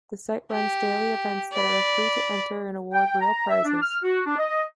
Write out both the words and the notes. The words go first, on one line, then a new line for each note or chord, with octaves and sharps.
The site runs daily events that are free to enter and award real prizes.
G4
D5 B5
G5
A#5
E5
D4
F6
F#4
D4
D#5